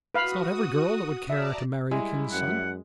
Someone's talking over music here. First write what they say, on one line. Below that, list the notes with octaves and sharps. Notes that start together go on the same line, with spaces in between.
It's not every girl that would care to marry a king's son.
F#4 B4 F5 B5 D#6
D5 E5 A5 A#5
G3 G#3 E4
F#2 F#5